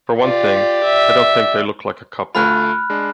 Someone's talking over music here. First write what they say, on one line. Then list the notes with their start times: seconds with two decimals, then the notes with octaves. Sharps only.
For one thing, I don't think they look like a couple.
0.22 F4 G4 D5
0.84 E5
2.35 D2 A3 F4 B5 F6 F#6
2.90 G#3 D4